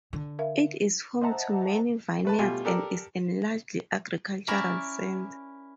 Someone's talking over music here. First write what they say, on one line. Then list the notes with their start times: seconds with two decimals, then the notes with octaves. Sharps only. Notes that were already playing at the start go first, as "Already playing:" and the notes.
It is home to many vineyards and is a largely agricultural center.
0.13 D3
0.39 A#4 E5 F5
1.21 C5 D#5 E5 F#5 A5 A#5
2.25 A3 B4 A5
2.39 B2 G3 A3 F4 G4 G#5
2.65 G4 A4 A#4 D5
4.48 C#4 E4 A#4 D5 E5